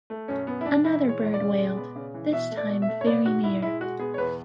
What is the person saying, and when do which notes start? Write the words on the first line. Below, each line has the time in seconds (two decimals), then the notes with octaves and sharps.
Another bird wailed, this time very near.
0.10 A3
0.28 F#2 C#4
0.47 F#2 B3
0.61 E4
0.66 E3 D4
0.84 E3 E4
1.03 G#3
1.09 C#5
1.21 E2
1.34 D5
1.40 C#3
1.59 G#3
1.77 B3
1.96 C#3
2.14 E3
2.32 B2 E5
2.51 A3
2.57 D5
2.70 B2
2.82 E5
2.88 A3
3.01 C#5
3.07 B3 D5
3.26 G#2 F#4
3.44 G#2 E4
3.62 G#3 E4
3.81 G#3 F#4
3.99 B3 G#4
4.14 C#5
4.18 E2 B4